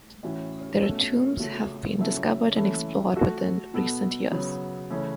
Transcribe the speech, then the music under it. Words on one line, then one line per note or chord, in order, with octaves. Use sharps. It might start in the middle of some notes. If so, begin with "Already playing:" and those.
Their tombs have been discovered and explored within recent years.
A2 E3 C#4 F#4
B2 A3 C#4
C#3 A3 F#4
C#3 F#3 C#4 E4 A4
E3 A3 C#4 E4 A4
A3 F#4 A4
B2 B3 A4
C#3 F#3 B3
C#3 E3 A3 C#4